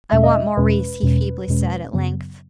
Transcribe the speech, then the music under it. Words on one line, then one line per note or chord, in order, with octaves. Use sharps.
"I want Maurice," he feebly said, at length.
E2 B2 G#3 C#4 E5
D#5
E5
E2 B2 G#3 C#4 B4
E2 B2 G#3 C#4
E2 B2 G#3 C#4
F#2 C#3 F#3 B3